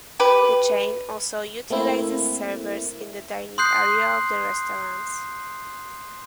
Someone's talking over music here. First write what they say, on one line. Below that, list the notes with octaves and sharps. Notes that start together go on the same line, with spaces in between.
The chain also utilizes servers in the dining area of the restaurants.
G4 B4
A3 A#3 C4 E4
C6 D#6 F#6 G6 C7